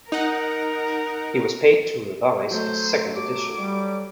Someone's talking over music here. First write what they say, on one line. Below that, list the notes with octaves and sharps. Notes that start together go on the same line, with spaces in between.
He was paid to revise its second edition.
D#4 A#4 F#5
F#3 A3 C5
D6
G3